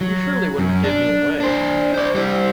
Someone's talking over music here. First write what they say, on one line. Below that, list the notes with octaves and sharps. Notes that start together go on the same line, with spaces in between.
You surely wouldn't give me away?
F#3
F#2
D4
D4 C5
C5 D5
G3 C5